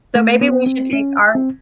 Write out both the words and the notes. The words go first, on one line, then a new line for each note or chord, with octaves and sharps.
So maybe we should take our
A3
B3
C4
C#4
C4